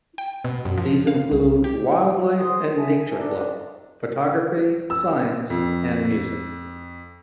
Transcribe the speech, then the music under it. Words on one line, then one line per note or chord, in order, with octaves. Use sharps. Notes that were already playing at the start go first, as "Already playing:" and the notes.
These include Wild Life and Nature Club, Photography, Science, and Music.
G5
B2
F#2
F3
F5
C2
G4
G#4 C5 C6 D#6
E5 G#5 A5
D4 D#4 A4
E6
F2